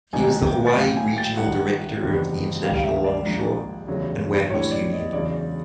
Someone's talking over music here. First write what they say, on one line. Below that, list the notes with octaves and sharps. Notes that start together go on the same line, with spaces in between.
He was the Hawaii Regional Director of the International Longshore and Warehouse Union.
A1 G#2 D#3 F#3 G#5
G5
A1 A2 F#3 F5
G5
G#5
G5
G#1 G2 D#3 F#5
F#1 E2 C3 D#3
C#2 C3 D#3 G3 F5
F5
E5
D5
A#1 G#2 F3
F1 E2 C#3 F#3
A#1 A2 E3 G3 C#5
D5
D#5
E2 C#3 F#3 D5